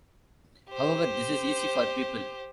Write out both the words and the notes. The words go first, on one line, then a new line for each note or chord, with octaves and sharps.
However, this is easy for people.
G4 C5